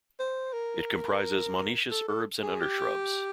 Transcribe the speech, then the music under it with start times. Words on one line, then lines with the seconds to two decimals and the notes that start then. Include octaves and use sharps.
It comprises monoecious herbs or undershrubs.
0.20 C5
0.53 A#4
1.91 A4
2.09 A4
2.43 G#4
2.60 G4